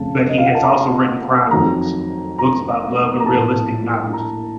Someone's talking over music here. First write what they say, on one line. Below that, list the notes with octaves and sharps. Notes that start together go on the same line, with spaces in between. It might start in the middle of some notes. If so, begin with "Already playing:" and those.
But he has also written crime-books, books about love and realistic novels.
Already playing: F2 C#3 A3 A5
D#5
F5
F#5
A5
A#5
F2 D#3 F#3 A3 A#5
A#5
A#5
A#1 A2 A3 A5
A#5